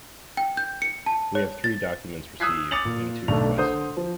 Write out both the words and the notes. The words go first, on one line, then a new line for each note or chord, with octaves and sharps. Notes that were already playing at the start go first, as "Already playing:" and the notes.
We have three documents received and two requested.
G5
G6
C#7
A5
C#5
A6
D#6 E6 F#6 G#6 B6 C7
D6 D#6 A6 C#7 F7 F#7
A#2
B1 A3 D4 F7
D3 C5 D#6 G6
F3